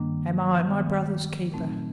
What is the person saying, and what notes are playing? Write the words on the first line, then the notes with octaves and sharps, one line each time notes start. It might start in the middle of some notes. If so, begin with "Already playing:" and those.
"Am I my brother's keeper?"
Already playing: G2 D#3 G3 A#3 D4
D#3 G#3 B3
A#2 F#3 A3 C4 D#4